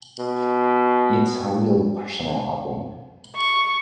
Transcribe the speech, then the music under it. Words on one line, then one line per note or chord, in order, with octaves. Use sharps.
It's a really personal album.
B2
C#6